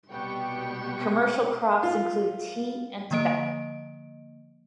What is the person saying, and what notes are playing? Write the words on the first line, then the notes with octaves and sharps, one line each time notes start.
Commercial crops include tea and tobacco.
C2 B2 G3 B3 G5 C#6
F4
D3 F3 A#3 D#5 D7